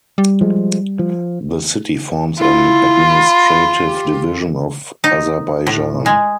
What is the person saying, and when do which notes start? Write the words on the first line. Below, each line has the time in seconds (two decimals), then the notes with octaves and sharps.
The city forms an administrative division of Azerbaijan.
0.18 G3
0.41 F3 G#3
0.99 F3
2.39 E4 F4
3.08 B5
3.84 G4
5.04 D#4
5.67 A2
6.06 G#3